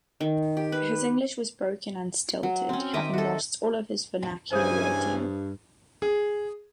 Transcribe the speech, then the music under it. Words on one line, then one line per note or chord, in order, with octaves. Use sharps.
His English was broken and stilted, having lost all his vernacular idiom.
D#3
G4
B4
F#3
C4 C#4
D#3 D#5 E5 D6
F#4 A4
G2 C#3 E3 C5 G#5 D#6 G6
G#4